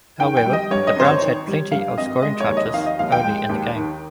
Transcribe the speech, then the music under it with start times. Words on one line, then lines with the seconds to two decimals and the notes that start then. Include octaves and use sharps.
However, the Browns had plenty of scoring chances early in the game.
0.20 D#3 G5
0.37 G5
0.46 G3
0.53 D#5
0.71 G2 C#5
0.87 D#5
0.96 G#1 C5
1.05 C#5
1.21 D#3
1.47 G3
1.72 G2 F5
1.98 G#1 D#5
2.22 G#3 D#5
2.40 C#5
2.48 D#2
2.57 D#5
2.73 D#3 F5
2.86 D#5
2.99 D#2 F5
3.12 G5
3.24 G#3
3.49 D#2
3.75 D#3